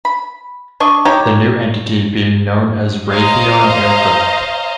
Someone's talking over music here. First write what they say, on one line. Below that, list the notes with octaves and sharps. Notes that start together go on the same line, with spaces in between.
The new entity being known as Raytheon Aircraft.
B5
D4 D#5 C#6
D#4 F#4 G4 C#5
C5 C#5 D#5 F5 A#5